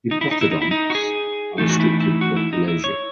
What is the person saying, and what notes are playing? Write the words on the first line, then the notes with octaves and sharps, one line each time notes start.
Diprotodonts are restricted to Australasia.
D#4
E4
D#4
E4
D#4
E4
D#4
F#4
G#4
E3 A3 D#4
F#4
E4
E4
F#4
E4
D#4
E4
C#5